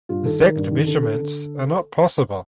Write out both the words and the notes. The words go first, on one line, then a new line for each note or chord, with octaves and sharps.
Exact measurements are not possible.
G2 F4
D#3 A4
D#3 A#4
G2
D#3
D3 A4
D3 A4
D3